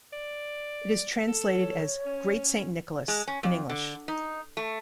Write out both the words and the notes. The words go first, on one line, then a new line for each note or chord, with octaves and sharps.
It is translated as "Great Saint Nicholas" in English.
D5
A4
C#5
C#4
G#3
C#4
F2
D3
D#4
A3